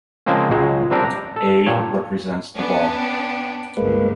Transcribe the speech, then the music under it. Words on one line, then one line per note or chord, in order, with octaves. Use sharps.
A represents the ball.
C#3 F3 G#3 A#3 C4 C#4
C#2 F#3 G#3 C#5
C3 G3 C4 D4 A#4
A#5
A4
G2 A#2 C#5
B3 C#4 D4
G5
G1 C#2 G#3 A#3 B4